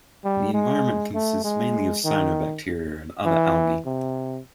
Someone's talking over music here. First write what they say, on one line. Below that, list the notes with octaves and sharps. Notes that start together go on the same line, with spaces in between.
The environment consists mainly of cyanobacteria and other algae.
G3
G#3
A3
G#3
D#3
E3
C3